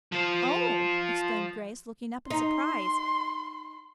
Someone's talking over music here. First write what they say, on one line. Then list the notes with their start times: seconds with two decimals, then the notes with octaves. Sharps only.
"Oh!" exclaimed Grace, looking up in surprise.
0.12 F3 C5
2.30 D#4 C6